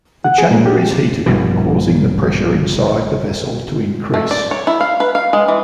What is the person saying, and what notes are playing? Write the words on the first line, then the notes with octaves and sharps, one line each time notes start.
The chamber is heated, causing the pressure inside the vessel to increase.
F#5
G#4
A#2
G4
A#1 G2 B2 E3
A3
D5
C#5
E4
F5
B4
F5
G#3
E3